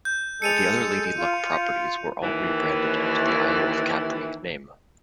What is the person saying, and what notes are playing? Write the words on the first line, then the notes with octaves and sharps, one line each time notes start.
The other Lady Luck properties were all rebranded under the Isle of Capri name.
G6
G#3 A4 C#7 D#7 F7
F4
D#2 E3